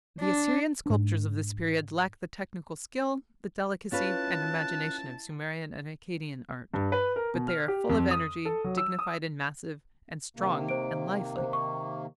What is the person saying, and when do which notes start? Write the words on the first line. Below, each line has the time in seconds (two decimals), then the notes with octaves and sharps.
The Assyrian sculptures of this period lack the technical skill, the delicacy and imagination of Sumerian and Akkadian art, but they are full of energy, dignified and massive, and strong and lifelike.
0.20 D4
0.86 G#2 D4
3.92 C#4 E4 F4 B4 A5 F#6
6.74 G2
6.92 B4
7.16 A#4
7.34 B2
7.48 F6
7.68 G4
7.89 F2
8.11 D#6
8.45 A4
8.64 F#3
8.77 E6
8.99 D#6
10.37 C3 D#3 A#3
10.69 C5 D7
11.37 C5
11.53 C#6